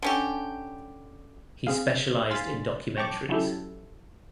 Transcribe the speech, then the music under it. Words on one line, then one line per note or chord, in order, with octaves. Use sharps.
He specialized in documentaries.
D3 C#4 G4
C4 G#4 F5
F5 G#5 C6 A6 B6
C#5 G5 A5 C#6 D6
F#3 C#4 E4 G4 A4